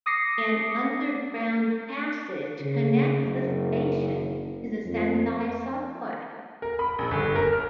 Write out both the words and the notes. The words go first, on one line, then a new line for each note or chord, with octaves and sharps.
An underground passage connects the station to the Sendai Subway.
D6 D#6 A#6 C7 C#7
C#3
F#1
F2
A#4
B5
A#1
G1
A#4
F6